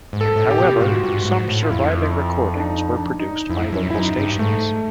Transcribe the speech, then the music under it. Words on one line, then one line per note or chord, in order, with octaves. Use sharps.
However, some surviving recordings were produced by local stations.
G#2
A4
A2
G4
B2
F4
G#2 F#4
G2
G#2
A2
F4
F2 E4
D4
D#4
D4
D#4
F2 E4
F#2
E4
F#2 D#4
G2
G#2 A3